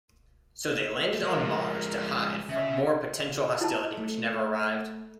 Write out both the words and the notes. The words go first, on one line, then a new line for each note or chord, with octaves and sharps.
So they landed on Mars to hide from more potential hostility which never arrived.
G#3 A#4
F3 G#3
C#3 E5
E4 A5
A3